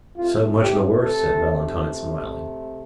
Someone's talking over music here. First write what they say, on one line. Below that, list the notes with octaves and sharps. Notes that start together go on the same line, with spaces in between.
"So much the worse," said Valentine, smiling.
C3 A3 F4
G4
A4